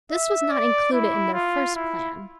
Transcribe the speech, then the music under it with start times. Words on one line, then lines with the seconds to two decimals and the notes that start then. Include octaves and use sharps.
This was not included in their first plan.
0.11 E5
0.52 D5
0.93 E4
1.34 F4
1.75 E4